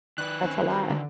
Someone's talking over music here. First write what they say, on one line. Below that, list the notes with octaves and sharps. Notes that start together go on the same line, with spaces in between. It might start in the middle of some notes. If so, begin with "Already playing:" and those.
That's a lot.
D#3 B4 D5 F#6
C4 C#4
C4 F#4 A#4
D3